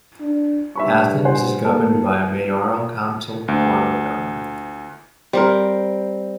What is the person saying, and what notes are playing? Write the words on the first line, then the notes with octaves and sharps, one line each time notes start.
Athens is governed by a mayoral-council form of government.
D4
G2 E5 B5 C#6
C5 F#5 G#5
A#3 A4
D2
G3 C4 A#4 C5